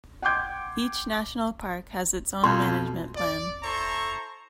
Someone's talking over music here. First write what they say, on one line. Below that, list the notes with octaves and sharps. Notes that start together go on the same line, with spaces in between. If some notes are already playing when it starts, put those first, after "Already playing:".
Each National Park has its own management plan.
F#5 G5 C6 D6 G6 G#6
F2 B2 C6
D5
E4 A4 C5 A#5 C#6